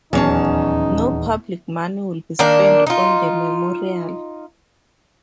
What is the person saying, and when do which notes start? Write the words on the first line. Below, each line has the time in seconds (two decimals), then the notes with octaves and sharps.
No public money will be spent on the memorial.
0.13 D#1 E2 F#3 C#4 D#4 A5
2.39 D#3 A#3 D4 D5
2.87 D#4 F4